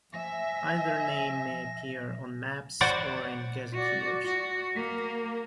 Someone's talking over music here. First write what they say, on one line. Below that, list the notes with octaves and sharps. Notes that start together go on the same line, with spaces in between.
Either name may appear on maps or in gazetteers.
F3 E5 G#5 A#6
F#4 C5 D5 F#5
F#4 D5
F#4
A#3